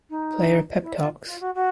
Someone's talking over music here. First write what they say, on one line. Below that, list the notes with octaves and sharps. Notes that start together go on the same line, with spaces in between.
Player pep talks.
D#4
E4
F4
F4
F#4
F#4